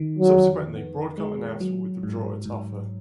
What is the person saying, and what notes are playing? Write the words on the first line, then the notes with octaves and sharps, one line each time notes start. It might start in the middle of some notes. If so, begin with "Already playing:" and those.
Subsequently, Broadcom announced it would withdraw its offer.
Already playing: D#3
F#3
F2
B3
G#3
F#3
G#2
G#2